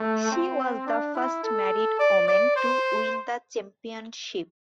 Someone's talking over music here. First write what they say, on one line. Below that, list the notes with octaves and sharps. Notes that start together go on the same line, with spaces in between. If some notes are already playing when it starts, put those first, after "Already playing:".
She was the first married woman to win the championship.
Already playing: A3
C4
D4
E4
A4
D5
D5
C5